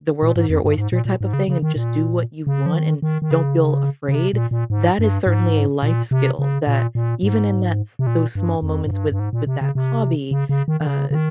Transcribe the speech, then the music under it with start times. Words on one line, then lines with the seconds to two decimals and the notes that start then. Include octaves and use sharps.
"The world is your oyster" type of thing and just do what you want and don't feel afraid, that is certainly a life skill that even in that s those small moments with with that hobby, uh,
0.23 A#2
0.36 G#2
0.50 F2
0.65 G2
0.78 G#2
0.92 A#2
1.05 A#2
1.21 G#2
1.33 C#3
1.48 C#3
1.62 D#3
1.76 A#2
2.47 C#3
2.66 F3
2.74 D#3
3.02 D#3
3.22 D#3
3.31 C#3
4.08 C#3
4.15 C3
4.33 A#2
4.51 A#2
4.70 G#2
4.99 G2
5.27 G#2
5.83 A#2
6.11 C3
6.39 C#3
6.67 A#2
6.95 A#2
7.23 G#2
7.99 C3
8.07 A#2
8.35 G2
8.63 F2
8.86 G#2
8.91 G2
9.12 G2
9.20 G#2
9.33 A#2
9.47 C3
9.61 C#3
9.75 C3
10.31 C#3
10.49 C#3
10.68 D#3
10.81 D#3
10.87 C#3
11.11 C#3
11.15 D#3